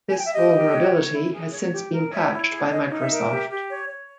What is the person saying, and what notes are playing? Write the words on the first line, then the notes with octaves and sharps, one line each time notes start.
This vulnerability has since been patched by Microsoft.
G#5
G5
E5
G4 D#5
G4
C#5
C#5
E4
G#4
C#5
G4
A#4
C#5 E5
E4
G#4
C#5 D#5
D#4
E5
A#4
G4
G4
C#5
C#5